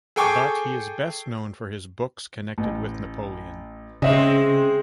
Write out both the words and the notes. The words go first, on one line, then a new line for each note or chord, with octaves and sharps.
But he is best known for his books connected with Napoleon.
G#4 A4 G5 G#5 C#6 D6
A1
C#3 G#3 C4 D#5 E5